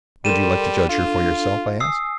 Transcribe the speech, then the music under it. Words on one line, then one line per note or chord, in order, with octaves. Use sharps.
"Would you like to judge for yourself?" I asked.
G3 A4 A#4 C6 D#7 E7
D4 F4 A4
G#5 D#6 E6 C7